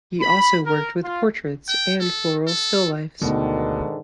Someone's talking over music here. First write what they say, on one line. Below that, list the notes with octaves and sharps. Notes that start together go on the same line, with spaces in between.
He also worked with portraits and floral still lifes.
B5
A#4
F4
G5
A4
A4
D2 G#2 B2 D3 D#3 A3